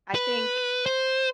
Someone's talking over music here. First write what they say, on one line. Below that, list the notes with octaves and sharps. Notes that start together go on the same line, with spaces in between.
I think
B4
C5